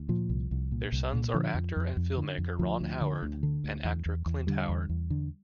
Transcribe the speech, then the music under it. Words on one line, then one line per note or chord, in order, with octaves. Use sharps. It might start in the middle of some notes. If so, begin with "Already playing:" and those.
Their sons are actor and filmmaker Ron Howard and actor Clint Howard.
Already playing: D2
A#2 F3
C2
C2
A#2
C2
A#2
D3 F3
F2
F2
F2
D3
F2
D2 F3
D2
D3
D2
D3
D2
E2
E2
E2
D3 G3
E2
E2
D3